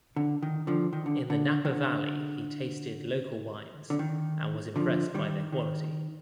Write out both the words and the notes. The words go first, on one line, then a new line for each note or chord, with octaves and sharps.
In the Napa Valley he tasted local wines and was impressed by their quality.
D3
D#3
D3 F3
D#3
D3
D3
D#3
D3
D3
D#3
D3 F3
D#3 G3
D#3